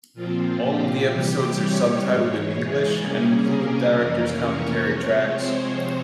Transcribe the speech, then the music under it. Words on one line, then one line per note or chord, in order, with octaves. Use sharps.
All of the episodes are subtitled in English and include director's commentary tracks.
A#2 F3 C4 F4
G4
C3 E3 G3
C#5
G#2 E3 G#3
G#4
C3 G3 A#3 C#4
A#4
F2 C3 E3 A#3 C#4
C#5
C3 F3 G#3 C4
C5